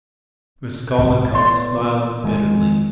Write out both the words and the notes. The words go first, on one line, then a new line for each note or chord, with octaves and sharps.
Raskolnikov smiled bitterly.
A1 G#2
E3 B3 D5 C6
D#3 G#3